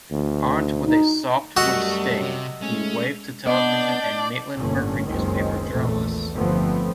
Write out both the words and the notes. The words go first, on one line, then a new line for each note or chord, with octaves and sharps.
Armed with a softwood stake, he waved to television and Maitland Mercury newspaper journalists.
D2
D#4
F#2 G3 A3 F#4 D#5 E6
C3
G#3 A3 C#4
B3 D4 D5 D#5 G6
G1 A2 D3 A#3 C#4
F#1 C#2 D#3 G#3 C4 C#4
A#1 E2 A#2 A3
G1 D3 F3 A3 B3 C4